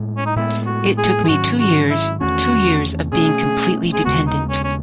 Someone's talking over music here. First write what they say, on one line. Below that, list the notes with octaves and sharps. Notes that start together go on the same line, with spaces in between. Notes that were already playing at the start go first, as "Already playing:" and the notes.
It took me two years; two years of being completely dependent.
Already playing: A2 G#3 B3
C#4
D#4
A2 G#3 B3 E4
F#4
G#4
G#4
G#2 D#3 F#3 C#4 F#4
F#4
E4
E2 D#3 A3 C#4 F#4
B2 A3 C#4 G#4
G#4
D#2 C#3 G#3 B3 F#4
D#4
C#4
C#4